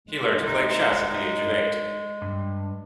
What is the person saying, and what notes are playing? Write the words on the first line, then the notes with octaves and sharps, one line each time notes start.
He learned to play chess at the age of eight.
G#3
D#4
G2